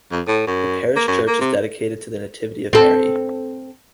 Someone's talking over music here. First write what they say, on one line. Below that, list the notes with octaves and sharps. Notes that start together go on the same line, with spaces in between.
The parish church is dedicated to the Nativity of Mary.
F2
A2
F#2
A#3
F#2
A#3
C3
C4 A4